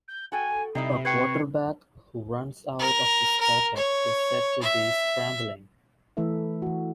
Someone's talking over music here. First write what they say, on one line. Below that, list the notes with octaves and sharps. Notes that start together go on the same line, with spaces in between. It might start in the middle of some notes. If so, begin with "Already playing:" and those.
A quarterback who runs out of this pocket is said to be scrambling.
G6
F#4 A4 G5 G#5
C3 G3 D#4 E4 C7
B4 G5 C#6 G#6 C7 C#7
A#4
A#4
C#5
E5
E3 A3 E4 A4 E5
E3 F#4